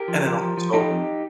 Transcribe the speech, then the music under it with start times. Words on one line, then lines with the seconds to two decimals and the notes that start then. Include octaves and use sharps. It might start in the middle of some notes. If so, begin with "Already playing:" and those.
and then also
Already playing: G4 A#4
0.08 F3
0.24 F3
0.41 F3
0.57 F3
0.73 F3 D#4 G4
0.90 F2